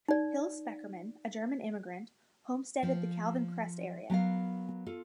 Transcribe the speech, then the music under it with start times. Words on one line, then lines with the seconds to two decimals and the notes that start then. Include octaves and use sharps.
Hills Speckerman, a German immigrant, homesteaded the Calvin Crest area.
0.09 D#4 D5
2.83 F3
4.10 F#3 B3 A#4 F5
4.86 F4 A4